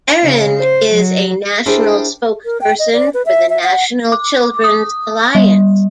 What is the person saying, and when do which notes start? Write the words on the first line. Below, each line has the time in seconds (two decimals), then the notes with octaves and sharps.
Erin is a national spokesperson for the National Children's Alliance.
0.23 C#3
0.58 C5
0.92 F#3
1.66 D4 E4 G4 G#4 A#4 C5
2.45 A#4
2.61 G5
2.79 D#5
2.93 D5
3.14 B4
3.26 E5
3.50 E5
3.63 F#5
4.12 D6
4.64 D#6
5.35 G3